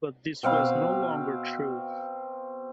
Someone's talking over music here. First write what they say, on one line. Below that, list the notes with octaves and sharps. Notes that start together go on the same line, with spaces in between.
But this was no longer true.
B2 C4 F5 B5